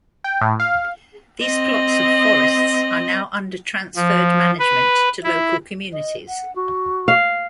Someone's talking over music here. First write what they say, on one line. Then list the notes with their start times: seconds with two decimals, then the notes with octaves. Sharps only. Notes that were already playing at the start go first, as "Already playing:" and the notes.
These plots of forests are now under transferred management to local communities.
0.24 G5
0.41 A2
0.60 F5
1.43 C4 D#5
3.96 F3
4.59 B4
5.24 E4
5.92 D#5
6.28 F#5
6.56 F#4
7.08 F5